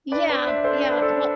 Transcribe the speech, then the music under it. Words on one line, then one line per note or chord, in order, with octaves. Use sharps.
Yeah, yeah. Well,
D4 B4 D5
B4 D5
C5 E5
A4 C5
C5
B4
A4 C5